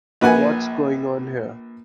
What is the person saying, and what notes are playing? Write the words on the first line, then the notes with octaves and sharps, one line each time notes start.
What's going on here?.
A#1 B4 F#5 G#5